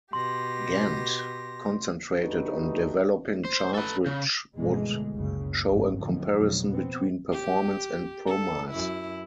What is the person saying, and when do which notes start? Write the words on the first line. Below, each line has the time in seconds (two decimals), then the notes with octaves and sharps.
Gantt concentrated on developing charts which would show a comparison between performance and promise.
0.13 B2 G4 C6 A#6
2.18 A3 D4 D#4 F#4 G4 B4
3.45 C5
3.74 A4 B4
4.06 C#3
4.56 G1 B2 D3 E3 G#3 A3
5.13 F#1 C#2 C#3
5.68 G#1 F#3
5.98 F#2 A2 D3 D#3 F3
6.34 F2 B2 F#3
6.70 B3 C4
7.31 G4
8.27 A4
8.71 F#2 E4